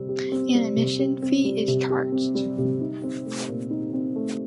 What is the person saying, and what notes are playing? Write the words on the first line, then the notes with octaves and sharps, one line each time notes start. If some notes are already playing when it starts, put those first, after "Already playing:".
An admission fee is charged.
Already playing: C3 G3 C4
G4
C4
G3
C3
G4
C4
G3
C3
G4
C4
G3
C3
D#4
C4
A3
A#2
D#4
C4
A3